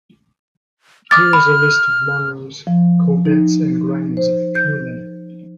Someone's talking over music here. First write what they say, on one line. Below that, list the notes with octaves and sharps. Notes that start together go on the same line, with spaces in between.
Here is a list of Munros, Corbetts and Grahams of the Cuillin.
D6 D#6 F6 A6
B5
F3
D#4
C5
G6